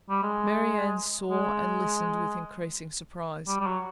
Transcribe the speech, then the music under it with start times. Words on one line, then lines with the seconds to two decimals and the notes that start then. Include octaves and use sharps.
Marianne saw and listened with increasing surprise.
0.10 G3
0.23 G#3
1.31 G#3
3.47 G3
3.61 G3
3.66 F#3